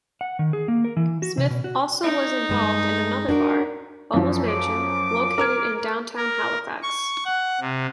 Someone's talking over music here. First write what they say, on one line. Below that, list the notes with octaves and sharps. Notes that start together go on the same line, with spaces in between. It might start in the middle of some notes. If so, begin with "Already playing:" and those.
Smith also was involved in another bar, "Bubbles' Mansion", located in Downtown Halifax.
F#5
D#3
G#4
A#3
A#4
E3
F#4
C3
B2
F#4
D#4
G2 G#3
D4 F#4 A#4
F#2 F3
D6
A#4 F6 G#6
A#4
C#6
F#5
C3